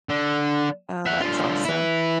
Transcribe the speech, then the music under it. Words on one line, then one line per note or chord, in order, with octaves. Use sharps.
Oh, that's awesome.
D3
E5 F#5
D3 F4
E4 B4